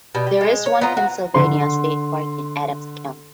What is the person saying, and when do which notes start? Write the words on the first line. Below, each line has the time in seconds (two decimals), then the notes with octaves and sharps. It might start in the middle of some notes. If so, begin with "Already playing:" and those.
There is one Pennsylvania state park in Adams County.
0.15 B2 G3
0.27 G4
0.41 G#3
0.66 C#5
0.81 B3 F4 D#5 A#5
0.97 F#4
1.34 D3 C6